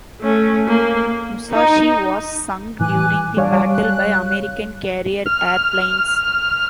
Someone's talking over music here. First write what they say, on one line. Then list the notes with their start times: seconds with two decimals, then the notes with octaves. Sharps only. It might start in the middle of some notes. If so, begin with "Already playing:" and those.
"Musashi" was sunk during the battle by American carrier airplanes.
0.21 A3 C#4
0.68 A#3
1.52 D#4
2.80 A2 E3 G#5 D6 F#6
3.37 G3 D4 C#5 F5 G#5
3.71 F#6
5.26 F6